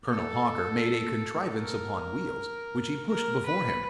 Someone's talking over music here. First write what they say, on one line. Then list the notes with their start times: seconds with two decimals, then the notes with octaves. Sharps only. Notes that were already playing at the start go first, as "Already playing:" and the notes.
Colonel Hawker made a contrivance upon wheels which he pushed before him.
0.10 A4
1.60 A#4
3.08 A#4
3.46 B4